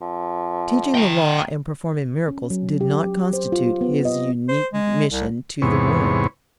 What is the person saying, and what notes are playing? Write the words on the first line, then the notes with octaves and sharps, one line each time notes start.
Teaching the Law and performing miracles did not constitute His unique mission to the world.
F2
G5 A#5
C#4
F#3
G4
C5
F4
B3
D#5
C5
G#3
C2
E2 G#2 C3 B3 C#5